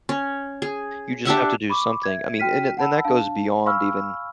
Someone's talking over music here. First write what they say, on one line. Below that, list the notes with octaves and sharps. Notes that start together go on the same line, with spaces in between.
you just have to do something. I mean, and th and that goes beyond even
C#4
G#4
D4 G4 E5 F#5
B5 C#6 D6
E5 G#6
F#4 G5 F6 B6 D#7
F#5 A5 B5 E6
D4 F5 A5
F5 G#5 B5 C#6 E6 F6